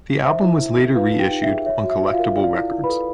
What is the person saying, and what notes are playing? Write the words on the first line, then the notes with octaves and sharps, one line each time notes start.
The album was later reissued on Collectables Records.
C5 E5
E4
E4
A4
F4 B4 F5
D#4
G4 G5
D#4
E5
G#4
C#5 E5
F#4
E5
F#4
F4 F5
A#4
F4 D5 F5
E4
E4
B4 B5
A4